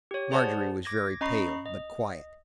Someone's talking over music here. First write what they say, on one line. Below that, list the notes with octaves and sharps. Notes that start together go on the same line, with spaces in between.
Margery was very pale, but quiet.
G4 C#5
G#4 C5 D5 F#5 A5
D6 G#6 A#6
C#4 D#5 A#5 B5 C#6 C7
D#5